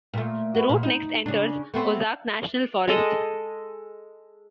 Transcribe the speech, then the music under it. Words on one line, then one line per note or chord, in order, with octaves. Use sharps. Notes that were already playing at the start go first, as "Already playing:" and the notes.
The route next enters Ozark National Forest.
A#2 A3
F#4 B4
A#2
D#4
C#3 D4
A3 B3 C4
G#3 A4 D#5